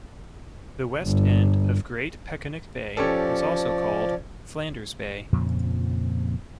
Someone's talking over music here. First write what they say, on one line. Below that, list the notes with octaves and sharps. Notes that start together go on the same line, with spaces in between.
The west end of Great Peconic Bay is also called Flanders Bay.
G1
F3 C#4 G4 A4 D5
F2 A#2 C#3 F3